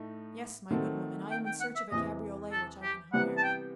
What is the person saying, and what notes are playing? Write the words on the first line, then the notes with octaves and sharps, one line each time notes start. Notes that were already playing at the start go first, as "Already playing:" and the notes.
"Yes, my good woman; I am in search of a cabriolet which I can hire."
Already playing: A2 A3 D#4
D#3 A3 C4 F#4 A4
G5
G5
F#5
E5
E2 C3 E3 D#5
A4
G4
C3 E3 G3 B3 F#5
A5
G5